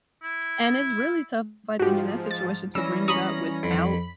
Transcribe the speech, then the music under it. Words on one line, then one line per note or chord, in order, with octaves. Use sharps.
and it's really tough, I think, in that situation to bring it up without,
E4
G#2 F3 F#4 G4
A6
E3 G3 C#4 E6 A#6
A#5 B5 C#6 D#6
F2 B5